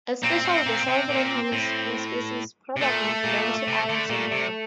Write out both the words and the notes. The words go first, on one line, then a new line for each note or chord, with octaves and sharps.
Especially the Southern Hemisphere species probably belong to other genera.
A#2 C4
A2
A#2
C3
A#2
A2
C3
A#2 A3
A#2
C3
D3
A#2
C3